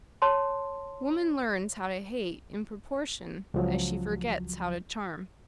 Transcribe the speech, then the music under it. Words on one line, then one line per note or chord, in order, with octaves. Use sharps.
Woman learns how to hate in proportion as she--forgets how to charm.
C#5 A5 C6
C#2 F3 F#3